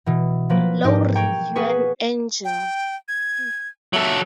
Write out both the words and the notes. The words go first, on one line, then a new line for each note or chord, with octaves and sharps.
Laurie, you're an angel!
B2 E3
F3 F#3 A#3 B4
G#2 D#4 G4 A#4
G5 A#5 C#6 G#6 D7
A#3 B3 G#4 B4 C#6
G5
G#6
F#3 A4 E5